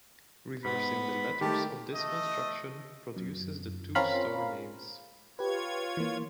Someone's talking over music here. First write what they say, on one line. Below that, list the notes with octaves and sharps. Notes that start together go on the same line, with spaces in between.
Reversing the letters of this construction produces the two star names.
G#2 B3 B5
D#3 A3 G4 A5
A3 D#5
F#2
C4 C#4 F4 A#4 F5 B5
F4 G4 B4 C#5 G#6
E3 A#3